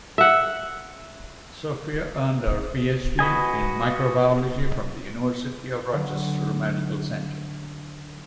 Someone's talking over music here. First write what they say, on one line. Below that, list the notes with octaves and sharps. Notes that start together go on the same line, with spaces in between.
Sofia earned her PhD in microbiology from the University of Rochester Medical Center.
E5 F#5
F#4 B4 D#5 G#5
D3 F#3